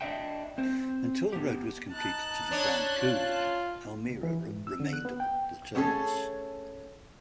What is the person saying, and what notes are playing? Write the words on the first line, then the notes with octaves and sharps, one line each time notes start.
Until the road was completed to the Grand Coulee Almira remained the terminus.
D4 D#5 E5 G5
C4 C5
B3 G4
D#4 A5 F#6
C#4 D4 C#5
F4
C#2
E3
G#2
E6
D3
F#6
B3
G5
A3 B3 C#4 G#4 A4 C#5